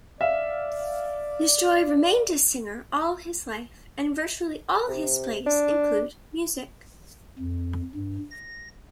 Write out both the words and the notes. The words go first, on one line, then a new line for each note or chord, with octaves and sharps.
Nestroy remained a singer all his life, and virtually all his plays include music.
D5 E5 F5
C3
D4
F2
G2
A#6